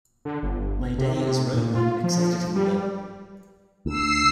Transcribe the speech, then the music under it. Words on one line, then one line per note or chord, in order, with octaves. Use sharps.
My day as roadman excited him a bit.
D3
G1
C3
A#2
F4
F3
G3
D2 E6 C7